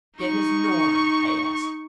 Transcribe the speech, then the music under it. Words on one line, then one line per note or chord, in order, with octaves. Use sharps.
"Get his Norm?" I asked.
D#4 C#6